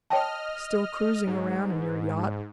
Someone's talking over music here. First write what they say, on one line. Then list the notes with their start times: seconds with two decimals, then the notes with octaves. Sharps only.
"Still cruising around in your yacht?"
0.10 C#5 D#5 G5 A5 F6
1.27 G#2